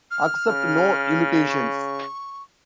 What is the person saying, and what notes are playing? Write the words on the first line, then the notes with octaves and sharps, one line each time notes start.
Accept no imitations.
F6
C#3
C#6